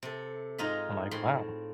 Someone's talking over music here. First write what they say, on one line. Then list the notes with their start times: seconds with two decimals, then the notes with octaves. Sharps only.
I'm, like, "Wow.
0.03 C3 A4
0.58 G#2 D#4 F4 D#5 B5
1.11 A2 C4 B5 C6